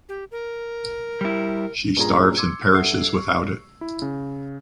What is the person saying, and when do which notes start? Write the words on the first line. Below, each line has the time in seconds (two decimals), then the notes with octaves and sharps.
She starves and perishes without it.
0.09 G4
0.31 A#4
1.21 G3 E4
1.96 G2 A#2 C#4 F4 G#4 A#5
2.36 C6 D6 E6 G#6 C#7
2.73 G2 A4 E5 F#5 C7
3.15 C#6
3.81 E4
4.02 C#3